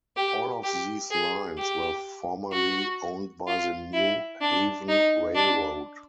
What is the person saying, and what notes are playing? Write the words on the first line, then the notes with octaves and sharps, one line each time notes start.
All of these lines were formerly owned by the New Haven Railroad.
G4
G4
G#4
G4
F#4
F4
E4
D4
D#4
D4